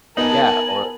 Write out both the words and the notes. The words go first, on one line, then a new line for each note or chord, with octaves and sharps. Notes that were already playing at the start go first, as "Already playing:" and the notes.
Yeah, or
B3 D#4 A#4 G#5 A5 F#7